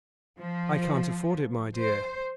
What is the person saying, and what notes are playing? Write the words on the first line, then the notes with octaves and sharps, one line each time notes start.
"I can't afford it, my dear."
F3
C5